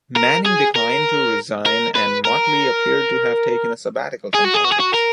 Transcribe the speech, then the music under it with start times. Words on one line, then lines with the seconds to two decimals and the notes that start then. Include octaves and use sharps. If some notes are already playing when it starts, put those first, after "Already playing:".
Manning declined to resign and Mottley appeared to have taken a sabbatical from politics.
0.16 A#4
0.46 G#4
0.76 A#4
1.66 A#4
1.96 B4
2.25 A#4
4.35 G#4
4.45 F#4
4.54 G#4
4.65 F#4
4.72 G#4
4.80 F#4
4.94 A#4